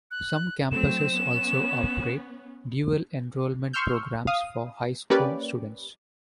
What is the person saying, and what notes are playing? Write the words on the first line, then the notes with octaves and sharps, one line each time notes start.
Some campuses also operate dual-enrollment programs for high school students.
F#6
F#3 A3 C4 E7
B3 C#4
C6 C#6 E6 F6 G6
F5 D#6
A#3 C#4 G4 B4 D5